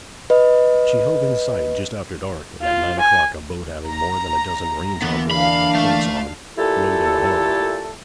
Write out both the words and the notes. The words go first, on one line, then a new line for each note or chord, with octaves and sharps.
'She hove in sight just after dark, and at nine o'clock a boat having more than a dozen marines on board, with cloaks on, rowed into harbour.'
B4 D#5
F4
G#5
A#5
D3 E3 A#3 B3
D4 F5 B5
A3
A#2 A3 E4 G4 A4